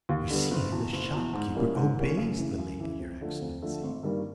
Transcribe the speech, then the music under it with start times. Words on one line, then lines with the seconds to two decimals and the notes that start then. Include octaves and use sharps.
"You see, the shopkeeper obeys the lady, your Excellency."
0.09 D#2
0.30 D3 G3 B3
0.51 F#1
0.72 E2 B2
0.93 F#1
1.13 E2 B2
1.33 G#2
1.54 E3 G3 A#3 C#4
1.75 G#2
1.96 E3 G3 A#3 C#4
2.17 F#2
2.37 C#3 E3
2.58 F#2
2.80 C#3 E3
2.99 F2
3.21 D3 F3 A3
3.41 F2
3.62 D3 F3 A3
3.83 G#1
4.03 G2 D#3 G3 A#3